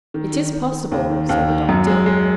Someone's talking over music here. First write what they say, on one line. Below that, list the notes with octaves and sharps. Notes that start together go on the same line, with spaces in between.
"It is possible," said the doctor.
D#3
D#3
D#3
D#3
D#2
D#3
D#2
D#3
F#2
G#3
G#3